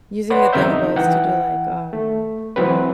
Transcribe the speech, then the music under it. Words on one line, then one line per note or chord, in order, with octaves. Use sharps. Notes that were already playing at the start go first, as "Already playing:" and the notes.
using the dumbbells to do, like, um,
B4 C#5 D5 F#5 C6
E2 C#3 C4 A#4 E5 G6
D#4
E3 F#5 G5
A3
E3 F#3 C4 B4